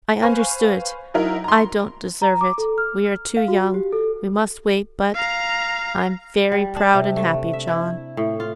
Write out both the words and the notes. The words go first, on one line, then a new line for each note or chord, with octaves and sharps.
I understood--I don't deserve it--we are too young, we must wait, but--I'm very proud and happy, John!'
B4 C5 F5 G#5 C#6
F#3 D#4 E4 A#4
A#5 C6
A#5
D6
A4
F6
F5
F#4
G4
A4
F5 A#5
G3
D4
C3
A3
E5
E4
A2
F4